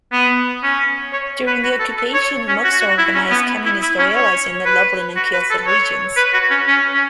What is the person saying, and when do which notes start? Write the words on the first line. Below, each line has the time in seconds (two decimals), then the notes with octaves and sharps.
During the occupation, Moczar organized communist guerillas in the Lublin and Kielce regions.
0.12 B3
0.63 C#4
1.13 C#5
1.47 B4
1.63 F#4
1.80 A4
1.98 A4
2.14 C#5
2.48 C#4
2.64 F#4
2.81 F#4
2.98 E4
3.15 C#4
3.31 B3
3.66 E4
3.82 E4
3.99 C#4
4.16 C#5
4.66 B4
5.16 F#4
5.33 B4
5.51 A4
5.67 C#5
6.17 B4
6.33 F#4
6.50 C#4
6.67 C#4
6.93 C#4